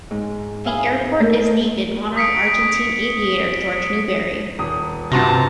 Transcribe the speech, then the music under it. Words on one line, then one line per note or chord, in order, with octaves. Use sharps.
The airport is named in honor of Argentine aviator Jorge Newbery.
G#2
E5 F5 G#5 B5 D#6
A3 A#3 A4 A#4
D#6 B6 C#7 D7
D#1 D#6
G2 C3 F4 F#4 E5 A5 A#5 A#6